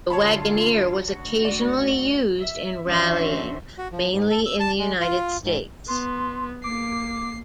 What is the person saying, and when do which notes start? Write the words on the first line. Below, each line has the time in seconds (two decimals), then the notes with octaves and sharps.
The Wagoneer was occasionally used in rallying, mainly in the United States.
0.10 D3 F4 C#5 A5 B5
1.03 D2 F#4
1.45 D5
2.40 E5
2.88 E3 C#4 D4 F#4 C5 E5
3.78 F#4
3.92 F3
4.12 G#2
4.30 A4
4.46 E6
4.60 A5
4.79 G#3
5.00 F4
5.44 G#2
5.88 B3 C6
6.64 A#3 D6 C7